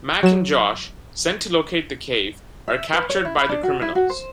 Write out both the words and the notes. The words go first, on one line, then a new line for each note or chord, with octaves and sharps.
Mac and Josh, sent to locate the cave, are captured by the criminals.
F#3 E7
E5
B4
C#5
E4
B5
D4
F#4
E4
F#4
C5